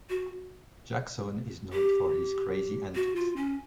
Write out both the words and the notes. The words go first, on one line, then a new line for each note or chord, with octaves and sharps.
Jaxson is known for his crazy antics.
F#4
G4
F#4
F4
C#4